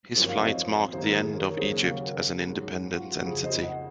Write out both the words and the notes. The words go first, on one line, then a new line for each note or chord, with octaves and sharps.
His flight marked the end of Egypt as an independent entity.
G#1 F#2 F3 C4 A#4 C#5
C#5 F5
C5 D#5
F#2 D#3 A#3 D#4 C5
A#4
G#4 C5
A#4 C#5
A#4 C#5
G#4 C5
D#2 C#3 F#3 C#4 A#4 C#5
C#5 F5
F#4 A#4
G#2 F#3 C#4
F#4
F4
F#4
F2 C#3 F3 F4 G#4
C5 D#5
D#5 F#5